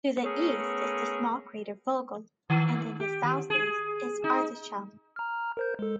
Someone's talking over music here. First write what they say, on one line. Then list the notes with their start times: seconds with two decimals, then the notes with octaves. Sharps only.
To the east is the small crater Vogel, and in the southeast is Arzachel.
0.24 A3 B3 C#4 G#4 A#4
2.50 D#3
3.00 G4
3.23 D#3
3.50 G#4
4.24 D#4
5.16 A#5 F6
5.57 A#4 C5 G6
5.79 G#3 A4